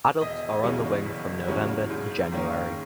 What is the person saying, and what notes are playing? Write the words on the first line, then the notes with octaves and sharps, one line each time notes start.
Adults are on the wing from November to January.
E1 D#5
E2 C#3 F#3 C#4
E1
E2 C#3 F#3 C#4
G#2
D#3 A#3 C#4